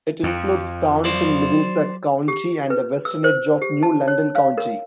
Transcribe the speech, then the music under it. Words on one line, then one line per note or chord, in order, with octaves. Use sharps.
It includes towns in Middlesex County and the western edge of New London County.
F2
F#3 C5 D5
G4
B4
E6
C5
G4
A5
C#5
F5
A#4